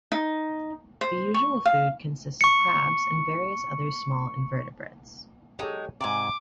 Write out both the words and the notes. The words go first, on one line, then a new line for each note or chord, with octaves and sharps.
The usual food consists of crabs and various other small invertebrates.
D#4
C5
C#6
F5
C#6 C#7
F#3 G#3 D#4 G4 A4 C#5
G#2 C3 D5 E5 G#5 D6